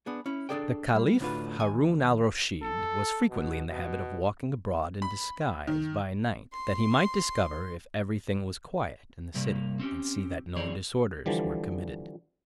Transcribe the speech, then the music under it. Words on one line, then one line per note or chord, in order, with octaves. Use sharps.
The caliph Haroon al Rusheed was frequently in the habit of walking abroad in disguise by night, that he might discover if every thing was quiet in the city, and see that no disorders were committed.
B3 D4 G#4
C#4 E4
D4 D#4 G#4 A4 D5 G5
G3
D2 A2 D4 F4 F#4 B4
D#2 G#5
A4
B2
B2
B5
D#3
C6
G2 C3 G3 A#3
C4 C#4 G4
E3 C4 G#4 C#5 D5
D3 E3 F3 G3